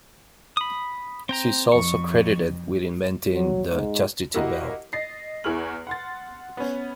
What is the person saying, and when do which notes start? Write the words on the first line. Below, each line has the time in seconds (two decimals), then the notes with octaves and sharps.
She is also credited with inventing the chastity belt.
0.57 B5 D#6
1.29 C4 G5 A#5
1.72 F2 C#6
3.33 F#3
3.73 G#2
4.34 A#3 E4 F#4 G4 A#4 D#5
4.93 D#5 A6 A#6 C7
5.44 E2 E4 G#4 C#6 F6 F#7
5.87 F#5 C6 A6
6.57 B3 C#4